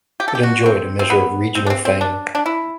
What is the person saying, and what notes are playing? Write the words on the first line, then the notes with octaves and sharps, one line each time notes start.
It enjoyed a measure of regional fame.
G4
A4
G4
F#4
C4
C4
B3
C4
D4
C4
C4
D4
D4
E4